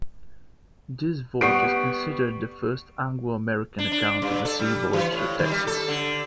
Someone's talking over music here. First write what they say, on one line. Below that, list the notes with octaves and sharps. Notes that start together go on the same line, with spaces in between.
This voyage is considered the first Anglo-American account of a sea voyage to Texas.
G3 B3 C#6 C7 D7
D4
D4
G2
A4
G3
E3
A2
D#3
G3
A4
D3